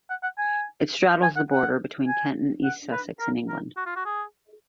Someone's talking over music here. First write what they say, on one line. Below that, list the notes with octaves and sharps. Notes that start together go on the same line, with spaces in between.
It straddles the border between Kent and East Sussex, in England.
F#5
F#5
G#5
G#5
F#5
F#5
G#5
F#5
B4
A#4
A#4
F#4
F4
F#4
G#4